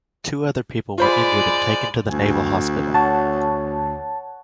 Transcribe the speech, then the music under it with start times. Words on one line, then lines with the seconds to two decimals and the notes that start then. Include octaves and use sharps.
Two other people were injured and taken to the naval hospital.
0.98 G#3 F4 C5 D5 B5
2.09 D2 G#5
2.94 C#5 F#5 A5